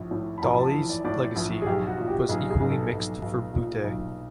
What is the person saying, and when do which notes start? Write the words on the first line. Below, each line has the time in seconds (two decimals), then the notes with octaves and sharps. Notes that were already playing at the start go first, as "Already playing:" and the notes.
Daly's legacy was equally mixed for Butte.
Already playing: A#1 A2
0.11 A2
0.38 B5
0.42 A#1 A#5
0.58 A5
0.74 E3
0.89 D5
1.04 A2 D5
1.36 A#1
1.62 G#4
1.66 B1 G4
1.87 F#4
1.98 A#2
2.08 G4
2.29 B1 G#4
2.50 G#4
2.60 B1
2.70 A4
2.91 B1
3.22 B1
3.54 A#2
3.84 B1